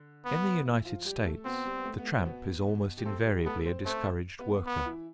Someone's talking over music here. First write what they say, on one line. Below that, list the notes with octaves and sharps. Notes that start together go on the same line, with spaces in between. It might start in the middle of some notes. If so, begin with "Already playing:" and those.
In the United States the tramp is almost invariably a discouraged worker.
Already playing: D3
B3
E3 E4
E4
F3 F4
G3 G4
A3 A4
B2 B3 C4
G3
B3
A3
B3
A3
C4
B2 B3
G4
A3 C4 A4
G3 G4
A3 B3 A4
C4 C5
A3 C4 C5
B3 B4
B3
E3 E4